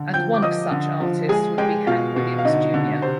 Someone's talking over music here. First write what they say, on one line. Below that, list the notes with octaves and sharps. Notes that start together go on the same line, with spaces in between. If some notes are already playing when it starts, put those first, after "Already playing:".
And one of such artists would be Hank Williams Jr.
Already playing: D3
F3 G5 G6
D6
F3 D#5 D#6
D3
F3
G#3 G#4 G#5
G#3 G4 G5
B2 F4 F5
B2
F5
D3 D#4 D#5
D3
C3 C5